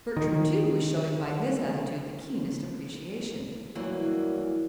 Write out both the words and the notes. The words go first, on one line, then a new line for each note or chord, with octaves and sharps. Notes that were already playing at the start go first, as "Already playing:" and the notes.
Bertram, too, was showing by his attitude the keenest appreciation.
D#3
G2 E3 F#3 A#3